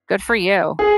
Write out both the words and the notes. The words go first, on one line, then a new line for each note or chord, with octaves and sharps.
Good for you.
G#4